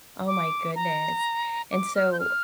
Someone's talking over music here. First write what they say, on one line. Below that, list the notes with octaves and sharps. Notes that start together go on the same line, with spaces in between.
oh my goodness, and so
D6
A#5
D6
F6
G6
F6